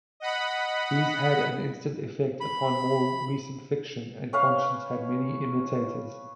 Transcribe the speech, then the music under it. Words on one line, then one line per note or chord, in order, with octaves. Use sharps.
These had an instant effect upon more recent fiction, and Conscience had many imitators.
D#5 F#5 B5
B5
C#4 B4 F5